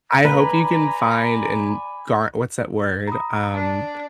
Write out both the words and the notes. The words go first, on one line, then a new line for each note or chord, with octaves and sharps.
I hope you can find and gar what's that word? Um,
B4 D5 G#5 A#5 B5
A#5 B5 D#6
D4 A5